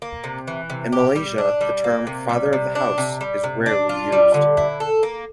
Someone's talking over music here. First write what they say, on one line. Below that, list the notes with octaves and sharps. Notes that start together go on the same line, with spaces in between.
In Malaysia the term "Father of the House" is rarely used.
A#3
C3
E3
C3
G4
G3
D4
G3
A#3
C3
G3
C3
D4
C3
G3
C3
D4
F4
G3
D3
E4
A4
A#3